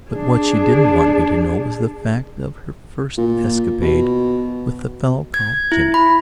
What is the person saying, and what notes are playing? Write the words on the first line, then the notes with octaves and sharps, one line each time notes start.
But what she didn't want me to know was the fact of her first escapade with the fellow called Jimmy.
D4 G#4
A#2
B2
G#6
E4
B5